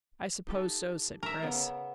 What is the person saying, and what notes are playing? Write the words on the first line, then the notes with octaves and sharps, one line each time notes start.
"I suppose so," said Chris.
D#4 G4 A4
A#4 E5
C#3 B3